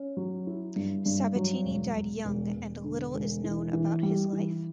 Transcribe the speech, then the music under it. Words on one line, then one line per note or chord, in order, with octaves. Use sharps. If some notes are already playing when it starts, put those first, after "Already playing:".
Sabatini died young and little is known about his life.
Already playing: C#4
F#3
E4
G2
G2
F#3
E1
E1
E1
E1
D3
E1
E3
E3
G3
E3